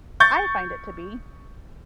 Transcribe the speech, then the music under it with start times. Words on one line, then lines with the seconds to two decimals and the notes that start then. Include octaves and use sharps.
I find it to be.
0.20 C#6 G6 A6